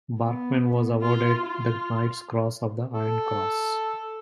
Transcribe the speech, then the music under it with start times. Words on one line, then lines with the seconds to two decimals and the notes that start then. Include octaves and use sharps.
Barkmann was awarded the Knight's Cross of the Iron Cross.
0.20 B3
1.02 F4
1.45 F4
2.93 A4